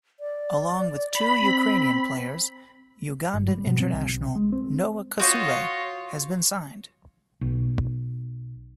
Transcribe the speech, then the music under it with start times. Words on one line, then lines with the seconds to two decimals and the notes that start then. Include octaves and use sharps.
Along with two Ukrainian players, Ugandan international, Noah Kasule, has been signed.
0.20 D5
1.15 B5
1.41 C4
3.34 G1
3.48 G3
3.67 B2
3.80 C4
3.93 C2
4.08 B1
4.36 G#3
4.52 C4
5.20 F4 F#4 C5 C#5 D#5
7.41 B1